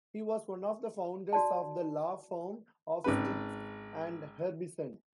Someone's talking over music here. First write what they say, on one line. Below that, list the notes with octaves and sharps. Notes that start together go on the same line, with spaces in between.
He was one of the founders of the law firm of Stites and Harbison.
F#4 D5 A5
G#1 C#3 B4